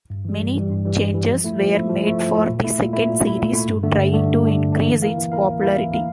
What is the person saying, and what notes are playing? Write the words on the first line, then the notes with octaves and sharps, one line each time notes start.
Many changes were made for the second series to try to increase its popularity.
G2
E3 G3
G2
E3 G3
G2
E3 G3
G2
E3 G3
F3
A3 E4
F3
A3 E4
F3
A3 E4
F3
A3 E4
A#2
A3 E4
A#2
A3 E4
A#2
A3 E4
A#2
A3 E4
G2
D3 A3 D4
G2
D3 A3 D4
G2
D3 A3 D4
G2
D3 A3 D4
E3
A#3 E4 A#4 F5
E3
A#3 E4 A#4 F5
E3
A#3 E4 A#4 F5
E3
A#3 E4 A#4 F5